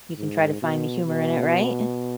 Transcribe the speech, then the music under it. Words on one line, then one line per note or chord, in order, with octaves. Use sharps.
you can try to find the humor in it, right?
G#2
B2
B2